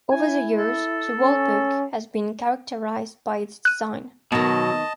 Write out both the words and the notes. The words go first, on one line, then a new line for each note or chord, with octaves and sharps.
Over the years, the "World Book" has been characterized by its design.
E4 G#5
A4
C#4
F#6 D#7
B2 D#3 F#3 B3 D#5 A5